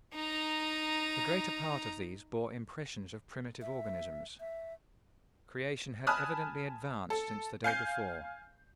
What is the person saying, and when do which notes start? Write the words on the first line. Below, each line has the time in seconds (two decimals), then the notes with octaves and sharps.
The greater part of these bore impressions of primitive organisms. Creation had evidently advanced since the day before.
0.14 D#4 A#5
3.62 E5
4.40 E5
6.07 G#5 A5 B5 D#6 F6 F#6
7.10 A4
7.64 F5 G#5 G6 C7